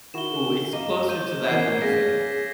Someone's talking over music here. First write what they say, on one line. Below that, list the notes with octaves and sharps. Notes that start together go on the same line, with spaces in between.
Ooh, it's closer to that than you think.
D#3 E4 F#4 E7 G7
F#2 D#5 F5 A#5 D6 D#7
C5 G6 D#7 E7
E3 C#4 A#4 G#6 C7
C#4 G#4 F5 A#6 B6